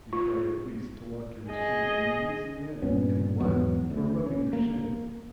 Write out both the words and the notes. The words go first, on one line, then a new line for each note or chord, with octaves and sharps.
You try at least to walk your machine in an easy manner, and whack!--you are rubbing your shin.
F4
G#4 D#5
G2 A#2 B3 C#4
E2 G#2 F#3 B3
D2
C#4
A#3